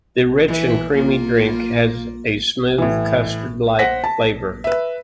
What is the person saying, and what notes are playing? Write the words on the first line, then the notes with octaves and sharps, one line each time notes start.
The rich and creamy drink has a smooth, custard-like flavor.
E3
A#3 F4
A2 E3
C5 F#5 A#6 B6
A5
B4 E5